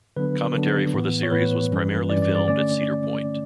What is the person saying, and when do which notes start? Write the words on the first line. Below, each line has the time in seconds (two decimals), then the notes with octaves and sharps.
Commentary for the series was primarily filmed at Cedar Point.
0.16 D3 F#3 B3 D4 B4
0.55 D3 F#3 B3 D4
0.93 A2 E3 B3
1.23 C#5
1.32 A2 E3 B3 B4
1.71 G2 E3 G3 C#4
2.10 G2 E3 G3 C#4 D5
2.22 D5
2.35 D5
2.48 D3 A3 C#4 D5